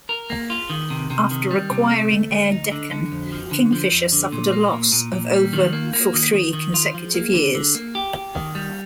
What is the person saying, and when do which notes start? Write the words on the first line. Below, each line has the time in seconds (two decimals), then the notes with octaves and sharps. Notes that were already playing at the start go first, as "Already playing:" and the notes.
After acquiring Air Deccan, Kingfisher suffered a loss of over for three consecutive years.
0.09 A#4
0.30 A#3
0.50 F4
0.70 D#3
0.90 C3
1.10 C3
1.31 D#3
1.51 G3
1.71 C3
1.91 A3
2.10 D2
2.31 D2
2.51 D#4
2.71 D3
2.91 D3
3.12 F2
3.32 F3
3.51 D3
3.72 F3
3.92 F2
4.12 D3
4.32 A#2
4.52 A#3
4.73 A#2
4.92 A#2
5.13 A#2
5.34 G3
5.53 D#3
5.73 A#3
5.93 A#3
6.14 D#3
6.34 D#3
6.53 D#3
6.74 F4
6.94 F3
7.14 A#3
7.34 D3
7.55 D3
7.75 A#3
7.95 G4
8.15 G4
8.35 D#3
8.55 G3